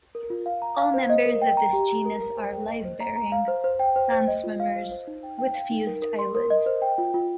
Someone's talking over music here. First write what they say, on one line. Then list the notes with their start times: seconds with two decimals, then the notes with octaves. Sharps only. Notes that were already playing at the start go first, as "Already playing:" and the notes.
All members of this genus are live-bearing, sandswimmers, with fused eyelids.
0.15 A#4
0.30 F4
0.46 F5
0.62 A#5
0.78 F5
0.94 C5
1.10 D#5
1.26 A#4
1.42 G5
1.57 A#5
1.73 G4
1.89 A#5
2.05 A#4
2.21 A#4
2.37 C5
2.53 G5
2.69 D#5
2.85 C5
3.00 A#5
3.16 A#5
3.32 F5
3.48 C5
3.64 C5
3.79 G5
3.96 C5
4.12 C5
4.28 D#5
4.44 F4
4.60 F5
4.75 C5
4.92 C5
5.07 D#4
5.23 G5
5.39 G5
5.55 F5
5.71 D#4
5.87 A#4
6.02 A#4
6.19 C6
6.35 A#4
6.50 D#5
6.66 C5
6.82 G5
6.98 F4
7.14 F4